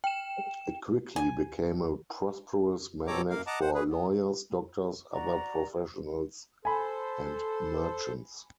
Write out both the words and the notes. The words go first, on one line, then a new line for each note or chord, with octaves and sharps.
It quickly became a prosperous magnet for lawyers, doctors, other professionals, and merchants.
G5 E7
G#5
B2 C4 A4 C#5 A#5 D6
F#2 A#3 A#4 F5
D#5 F#5 A5 A#5 D6
C5 F#5
G#4 B4
B3
F#4 D5 A#5
A4 C5 G#5 B5